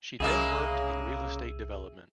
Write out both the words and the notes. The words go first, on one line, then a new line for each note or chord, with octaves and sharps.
She then worked in real estate development.
C2 C#3 G#3 A#3 G#4 E5